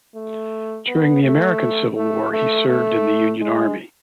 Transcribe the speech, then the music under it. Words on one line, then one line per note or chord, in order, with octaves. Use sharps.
During the American Civil War, he served in the Union Army.
A3
B3
A3
A3
A3
A3
G#3